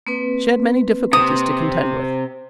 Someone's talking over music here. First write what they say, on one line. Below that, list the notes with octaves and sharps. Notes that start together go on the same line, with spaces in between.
She had many difficulties to contend with.
A#3 C4 B4
C3 D#6